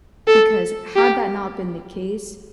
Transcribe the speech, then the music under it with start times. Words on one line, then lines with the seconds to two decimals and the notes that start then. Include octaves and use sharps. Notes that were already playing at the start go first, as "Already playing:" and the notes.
Because had that not been the case,
0.28 A4
0.96 G4